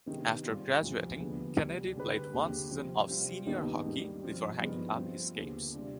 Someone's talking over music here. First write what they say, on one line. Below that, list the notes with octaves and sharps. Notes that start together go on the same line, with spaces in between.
After graduating Kennedy played one season of senior hockey before hanging up his skates.
C3 D#3 G#3 B3
G#2 G3 C4 F4
D2 C3 F3
D#2 D3 F3 G#3 B3
D2 C3 G3
D3 G#3 C4 G4 B4
D#2 D3 G#3 C4 G4
C3 F3 C4
C3 G3 C4 F4
D#2 D#3 B3 D#4 G4
G#2 D#3 G3
G2 F3 C4
G2 F3 G#3 B3 D#4
F3 C4 F4
D#2 D3 G#3 B3
C3 G3 D4 F4